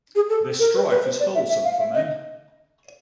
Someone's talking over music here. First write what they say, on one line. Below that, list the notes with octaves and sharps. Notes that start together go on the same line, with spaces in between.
This Strife is wholesome for men.
G#4
A4
A#4
B4
B4
C5
D5
E5
E5
F5
E5
D#5